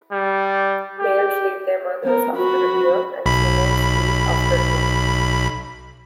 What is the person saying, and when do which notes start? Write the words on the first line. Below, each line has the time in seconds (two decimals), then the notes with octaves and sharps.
Males leave their mothers after a year and females leave after two.
0.12 G3
0.99 G4
2.04 B3 A#4
2.36 F#4 B5
3.26 B1 B5